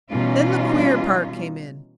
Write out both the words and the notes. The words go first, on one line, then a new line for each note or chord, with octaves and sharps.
Then the queer part came in.
B2 E3 G3 C#4 D#4 F4